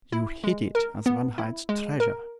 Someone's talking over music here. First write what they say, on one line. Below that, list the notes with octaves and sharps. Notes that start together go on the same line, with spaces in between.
You hid it as one hides treasure.
E4
G#3
A#4
B3
E4
G#3
A#4